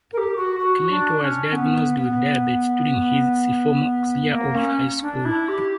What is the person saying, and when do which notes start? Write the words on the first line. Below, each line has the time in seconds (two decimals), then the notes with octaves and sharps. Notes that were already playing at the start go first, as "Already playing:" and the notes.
Kmet was diagnosed with diabetes during his sophomore year of high school.
0.12 A#4
0.17 G4
0.36 F#4
0.59 F#4
0.90 D4
1.21 C#4
1.52 B3
1.99 B3
4.31 A#3
4.55 C#4
5.01 D4
5.25 E4
5.48 G4